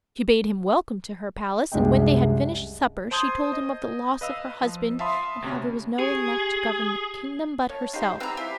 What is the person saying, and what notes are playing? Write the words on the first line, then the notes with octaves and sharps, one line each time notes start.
She bade him welcome to her palace, and when they had finished supper she told him of the loss of her husband, and how there was no one left to govern the kingdom but herself.
C2 F#2 G#3 D4 D#5 G5
C5 A5 C6 D#6 G6 G#6
D#5
B4 D#5 F5 E6
F3
E5 F5 A5 B5 C6 D#6
D2 C3 C#4
G4 G#4
C#5 F5 A5
D#4 G4 C5 F5
G3 C4 B4 A#5 E6
E4 G4 E5 F5